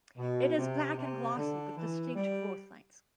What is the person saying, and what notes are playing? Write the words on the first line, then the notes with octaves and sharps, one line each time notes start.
It is black and glossy with distinct growth lines.
B2
C3
C3
D3
E3
G3